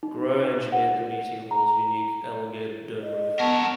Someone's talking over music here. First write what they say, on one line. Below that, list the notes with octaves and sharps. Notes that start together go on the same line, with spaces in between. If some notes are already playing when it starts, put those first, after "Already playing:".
Grow engineered the meeting hall's unique elongated dome roof.
D#4
F#5
A#5
D#5
B3 A#4 C#5 A5